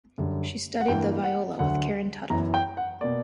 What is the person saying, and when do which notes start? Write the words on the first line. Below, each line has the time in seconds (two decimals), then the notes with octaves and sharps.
She studied the viola with Karen Tuttle.
0.18 F#2 D3 G3
0.80 F#5
0.88 G2 E3 A#3 G5
1.24 F#5
1.59 D2 D3 F#3 F#5
2.30 F#2 E3 B3 A#5
2.54 G5
2.77 F#5
3.01 B2 A#3 D5